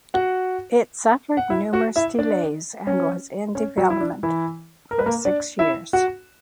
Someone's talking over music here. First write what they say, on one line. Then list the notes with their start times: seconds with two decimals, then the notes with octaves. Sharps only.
It suffered numerous delays, and was in development for six years.
0.14 F#4 F#5
1.37 F#5
1.50 E4 E5
1.73 F#4 F#5
1.96 E4 E5
2.19 D4 D5
2.87 C#4 C#5
3.55 C#4 C#5
3.77 F#3 F#4
3.90 E4
4.00 D4
4.23 E3 E4
4.91 A#4
4.99 B4
5.06 A#3 A#4
5.25 D4 D5
5.59 E4 E5
5.93 F#4 F#5